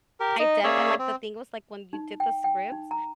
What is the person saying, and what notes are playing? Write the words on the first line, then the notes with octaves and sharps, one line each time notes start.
I def and like, the thing was, like, when you did the scripts,
G4 A#4
D#4 D#5
A#3 C#4 G#4 C#5 D5 E5
C4
D#4
G5
G5
D#4
A#5